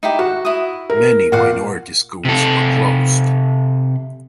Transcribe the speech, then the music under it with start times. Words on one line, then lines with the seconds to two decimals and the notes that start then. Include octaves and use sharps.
Many minority schools were closed.
0.03 D#4 E4 G4
0.19 F#4 F#5
0.45 E4 D#6
0.90 A#4
1.32 A#2 F#4 F5 F#5
2.25 C3 A4